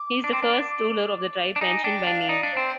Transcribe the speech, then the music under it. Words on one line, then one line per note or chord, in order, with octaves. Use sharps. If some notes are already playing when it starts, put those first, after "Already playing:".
He is the first ruler of the tribe mentioned by name.
Already playing: D6
D4
C4
D4
D4
D#4 G#5
D4 G5
D4 F5
D#4 D5
D4
C4 C5